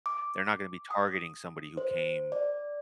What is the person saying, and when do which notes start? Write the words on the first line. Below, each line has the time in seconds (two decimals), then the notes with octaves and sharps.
They're not gonna be targeting somebody who came,
0.06 D6
0.91 D#6
1.77 C5
2.32 D5